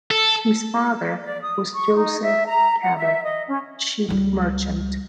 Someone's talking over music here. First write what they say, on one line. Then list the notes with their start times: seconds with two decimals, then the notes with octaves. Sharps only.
His father was Joseph Cabot, a ship merchant.
0.11 A4
1.23 D5
1.42 D#6
1.76 C#6
1.95 D#4
2.22 E5
2.46 A#5
2.81 F#5
2.95 E5
3.24 D#5
3.47 C#4
4.09 C#2 G3